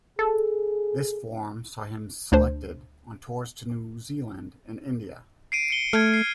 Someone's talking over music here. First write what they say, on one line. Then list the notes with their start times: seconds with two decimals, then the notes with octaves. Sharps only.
This form saw him selected on tours to New Zealand and India.
0.19 G#4 A4
2.32 D2 D4 C5
5.52 C7 D7 D#7
5.70 C#7 G7
5.93 A3 F6 G#6
6.14 C7